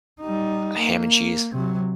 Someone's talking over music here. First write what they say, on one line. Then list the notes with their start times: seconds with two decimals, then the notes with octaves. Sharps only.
A ham and cheese
0.20 G3 D#4
0.78 A#3
1.52 C3 F#3